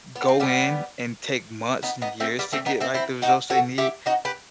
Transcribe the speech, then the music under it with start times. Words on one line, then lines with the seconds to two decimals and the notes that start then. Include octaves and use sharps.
go in and take months and years to get, like, the results they need.
0.16 B3
0.28 C4
0.40 G3 B3
1.83 B3 D#4
2.02 B3 D#4
2.20 A3 C4
2.39 G3 B3
2.52 A3 C4
2.66 B3 D#4
2.80 C4 E4
2.94 C4 E4
3.22 D#4 F#4
3.50 F#4 A4
3.78 E4 G4
4.06 D#4 F#4
4.25 G4 B4